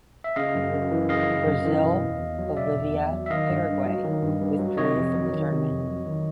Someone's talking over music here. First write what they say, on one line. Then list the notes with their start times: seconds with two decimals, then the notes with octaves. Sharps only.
Brazil, Bolivia and Paraguay withdrew from the tournament.
0.24 E5
0.36 C#3 D#5 F5
0.55 F#2
0.73 F#2
0.91 E3
1.09 C#3 D#5 F5
1.28 F#2
1.47 F#2
1.65 E3
1.83 B2
2.02 E2
2.20 E2
2.38 F#3
2.57 B2 D5 E5
2.76 E2
2.94 E2
3.12 F#3
3.26 E5
3.30 D#3 D#5 F5
3.49 G2
3.68 G2
3.85 F#3
4.04 D#3
4.22 G2
4.40 G2
4.59 F#3
4.77 C3 C#5 D#5
4.96 F2
5.15 F#3
5.33 D#3
5.51 C3
5.70 F2
5.88 F#3
6.06 D#3